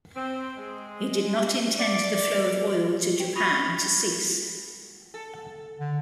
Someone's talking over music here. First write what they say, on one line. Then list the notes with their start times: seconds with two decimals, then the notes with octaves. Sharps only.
He did not intend the flow of oil to Japan to cease.
0.15 C4
0.56 G#3
1.78 D5
3.18 G4 G5
3.35 B5 C#6 D#6 A#6 D#7 F7
5.14 A4
5.80 D3